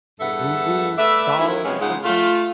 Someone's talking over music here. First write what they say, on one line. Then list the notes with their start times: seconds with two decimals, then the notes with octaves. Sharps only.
Goo Goo Dolls or something.
0.20 E2 G2 A4 B4 E5 F#5
0.98 A3 B4 D5 E5
1.38 F#2 D#3 F3 E4
1.64 C3 G#3 B3 C#4
1.80 G#2 C#3 G#3 D#4 F4 F#5
2.03 A3 F4